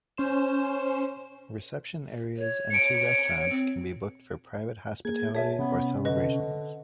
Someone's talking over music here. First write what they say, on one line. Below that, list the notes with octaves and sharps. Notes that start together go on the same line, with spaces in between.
Reception areas and two restaurants can be booked for private hospitality or celebrations.
C#4 C5 E7
C#5
C#7 D7
C4
A#3 G#4 G#6
G#4 C#5 E5 A5
C3 B3 C#4
D3 B4 D#5